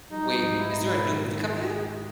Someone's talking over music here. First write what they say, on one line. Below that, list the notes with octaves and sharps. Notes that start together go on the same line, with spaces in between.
Wait. Is there a new movie coming out?
G3 D#4
G#2
E4
G#2 D#4
E4
D#3
D#3